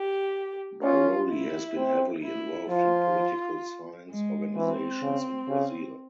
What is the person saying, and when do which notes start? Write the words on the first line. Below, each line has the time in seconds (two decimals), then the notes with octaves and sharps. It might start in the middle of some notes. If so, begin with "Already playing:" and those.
Biroli has been heavily involved in political science organizations in Brazil.
Already playing: G4
0.82 C#4 F4
1.30 E4
1.77 C4
2.23 E4
2.69 F3 F4
4.10 G#3
4.56 E3 C4
5.02 C#3
5.49 C#3